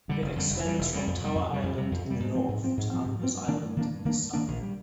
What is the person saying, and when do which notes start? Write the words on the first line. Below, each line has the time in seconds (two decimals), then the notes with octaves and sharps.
It extends from Tower Island in the north to Anvers Island in the south.
0.08 F2 D3 G3
0.22 F1
0.36 F2 D3 G3
0.50 F1
0.65 F2 D3 G3
0.78 F1
0.92 F2 D3 G3
1.07 F2
1.21 C3 G3
1.35 F2
1.50 C3 G3
1.63 F2
1.78 C3 G3
1.92 F2
2.06 C3 G3
2.20 G#2
2.35 F3 C4
2.48 G#2
2.63 F3 C4
2.77 G#2
2.91 F3 C4
3.05 G#2
3.20 F3 C4
3.34 G2
3.48 D#3 A#3 D4
3.62 G2
3.77 D#3 A#3 D4
3.91 G2
4.05 D#3 A#3 D4
4.19 G2
4.33 D#3 A#3 D4
4.48 A#1
4.62 G3